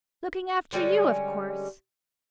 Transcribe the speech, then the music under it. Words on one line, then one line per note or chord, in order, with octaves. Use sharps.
"Looking after you, of course."
D3 G3 G#3 C#4